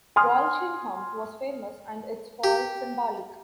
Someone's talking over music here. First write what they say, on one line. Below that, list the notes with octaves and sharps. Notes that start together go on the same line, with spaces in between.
Walsingham was famous and its fall symbolic.
G#5 C6 D#6 F6
G4